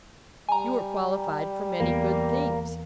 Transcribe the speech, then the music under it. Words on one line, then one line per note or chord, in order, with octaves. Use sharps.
You are qualified for many good things.
G3 G#5 A#5
E2 A#3